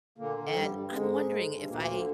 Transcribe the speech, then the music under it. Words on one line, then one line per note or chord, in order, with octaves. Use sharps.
and I'm wondering if I
A#2 D3 A#3
D3
F3
G2 G3
G2
G#2 D3 G#3
D3
D3
G2
D2 A#2 A#3
D3